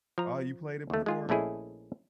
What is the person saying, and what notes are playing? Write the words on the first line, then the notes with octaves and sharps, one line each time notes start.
Oh, you played it before?
F3 A#5
D#2 A3
G#3 F4 G#4
A#1 A3 C#4 E4 G#4 D#5